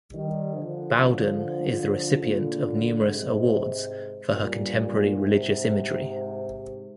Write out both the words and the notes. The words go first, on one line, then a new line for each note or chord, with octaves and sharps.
Bowden is the recipient of numerous awards for her contemporary religious imagery.
D#3 G3
D3 F3
A#2 D3
G#2 C3
G2 A#2
G#2 C3